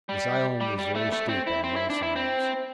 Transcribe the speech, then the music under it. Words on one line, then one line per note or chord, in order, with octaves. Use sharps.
This Island is very steep on all sides.
G3
G3
G3
A3
A3
C4
E4
C4
E4
D4
E4
C4